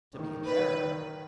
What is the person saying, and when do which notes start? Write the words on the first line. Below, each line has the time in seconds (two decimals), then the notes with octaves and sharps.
"To be a baron."
0.14 D#3
0.45 B4
0.77 D#3